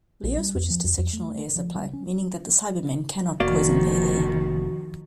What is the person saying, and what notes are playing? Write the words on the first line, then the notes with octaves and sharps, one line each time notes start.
Leo switches to sectional air supply, meaning that the Cybermen cannot poison their air.
A#1
G3
F2
F3
F2
F2
A3
F3
G3
C#4
F1 D#3 F3 A#3 F#4 D5 F5